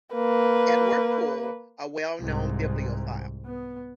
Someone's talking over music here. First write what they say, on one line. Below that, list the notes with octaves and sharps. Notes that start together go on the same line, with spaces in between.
Edward Poole, a well-known bibliophile.
A#3 B4
C2 G#2
B3